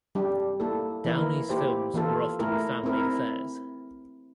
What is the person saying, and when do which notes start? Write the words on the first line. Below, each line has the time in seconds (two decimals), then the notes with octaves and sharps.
Downey's films were often family affairs.
0.15 G3 D4 G4
0.60 A#3 E4 A4
1.05 E3 A#3 E4 A#4
1.49 A#3 E4 G4 C5
1.94 E3 A#3 F4 A4
2.39 A3 E4 A#4
2.84 C4 E4 A#4